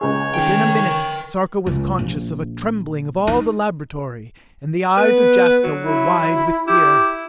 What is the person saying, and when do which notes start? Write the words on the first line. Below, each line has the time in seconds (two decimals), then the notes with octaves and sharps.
Within a minute, Sarka was conscious of a trembling of all the laboratory, and the eyes of Jaska were wide with fear.
0.01 C#2 G#4 C#5
0.34 D#3 A#4 G5
1.66 C#2
1.99 A#1
3.27 D#4
4.97 B3 B4
5.64 F#3
5.84 E4
6.67 E4 G4